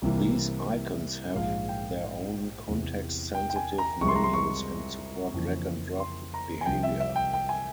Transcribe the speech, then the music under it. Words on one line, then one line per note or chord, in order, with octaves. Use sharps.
These icons have their own context-sensitive menus and support drag and drop behaviour.
C2 C3 E3 A#3
A#1 G#2 F3 G#3 F5
G5
E2 C3 E3
G5
G5
G#5
A#5
C2 C3 F3 G#3 C#6
C6
A#5
C6
C#6
F2 C#3 E3 A#3
C6
A#5
G#5
C2 C3 F3 G5
E5
E5
G5
G5
G#5